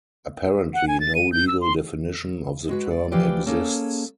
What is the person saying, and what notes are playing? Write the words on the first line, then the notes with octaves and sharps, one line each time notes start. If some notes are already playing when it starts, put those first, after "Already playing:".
Apparently, no legal definition of the term exists.
F#5
G#5
A6
D#7
G6
E6
C6
G#3 F#4 B4
D5
E3 F3 F4 G4 B4 D5
A#3 C#4 G#4 A4